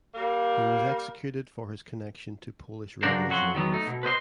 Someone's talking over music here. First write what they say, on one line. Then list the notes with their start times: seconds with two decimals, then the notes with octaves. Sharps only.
He was executed for his connection to Polish revolutionaries.
0.15 G3 A#3 A#4
3.03 C#3 F#3 D4 F#4 A#4 C5
3.29 F2 F#3 F#4 B5 C6
3.55 D#3 F#3 B3
3.72 A3 D#4
3.87 B2
4.03 B4 C5 D#5 C6